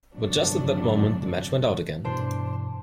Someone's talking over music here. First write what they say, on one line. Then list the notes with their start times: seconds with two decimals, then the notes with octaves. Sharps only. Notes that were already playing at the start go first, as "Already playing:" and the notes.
But just at that moment the match went out again.
0.15 G1 F2 C3 F#3 D4
2.05 G2 B2 E3 D4 C5